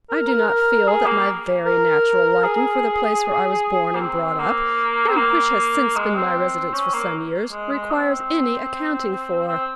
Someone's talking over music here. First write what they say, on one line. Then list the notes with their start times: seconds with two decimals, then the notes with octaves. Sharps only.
'I do not feel that my very natural liking for the place where I was born and brought up,--and which has since been my residence for some years, requires any accounting for.'
0.10 A#4
0.28 A#4
0.48 A#4
0.88 G#4
1.06 A#3
1.66 A#4
2.44 G#4
3.95 A#3
4.00 C4
4.39 A#3
5.08 C4
5.17 A#3
5.96 G#3
6.15 C4
6.73 C#4
6.94 A#3
7.52 G#3
7.72 G#3
7.91 C4
9.48 C4